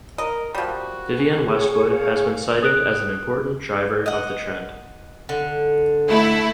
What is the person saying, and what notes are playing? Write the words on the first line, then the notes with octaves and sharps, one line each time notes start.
Vivienne Westwood has been cited as an important driver of the trend.
A#4 D#5
F3 G3 F#4
G#5
G#4 C#5
F5
D#6 F#6 D7
D#5 F#5
D3
A3 E4